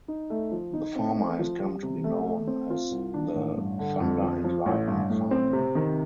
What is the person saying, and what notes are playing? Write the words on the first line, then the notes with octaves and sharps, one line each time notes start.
The former has come to be known as the "thunder and lightning final".
D#4
A3
F3
D#4
C4
A3
F3
G3
C3
A3
A3
C4
F4
C2
D4
A1
G2
D3
F2
F3
F3
A1
G2
A2
C4
C3
D#3